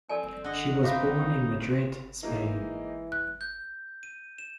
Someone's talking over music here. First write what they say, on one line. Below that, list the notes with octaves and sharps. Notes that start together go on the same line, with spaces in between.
She was born in Madrid, Spain.
C4 A4 D5 G#5
D3 D#5 F#5
C4 D#4 B4 C5 E5 F5 D6
E3 G#3 A#3 D#4
F#6
G6
D#7
E7